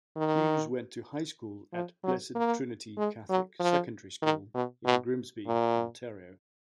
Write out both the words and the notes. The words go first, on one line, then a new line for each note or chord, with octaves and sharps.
Hughes went to high school at Blessed Trinity Catholic Secondary School in Grimsby, Ontario.
D#3
F3
F#3
A#3
G#3
F#3
F3
D#3
B2
B2
A#2